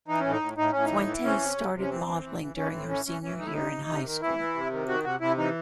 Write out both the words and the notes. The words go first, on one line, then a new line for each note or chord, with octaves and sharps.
Fuentes started modeling during her senior year in high school.
E3 D#4
A2 C#4
D#4
A2
A2 D#4
A2 C#4
D#4
E3
E3
C3 C#4
C3
C3
C3
C#4
E3 C4
E3
E3
E3
E3 C#4
A2 C4
E3 C#4
E3 C#4
E3 C#4
A2 D#4
E4
C3 D#4
C3
C3
D#3
E3 E4
E3
C3
D#3
D#3 F#4
C3 F#4
C3 E4
E3 D#4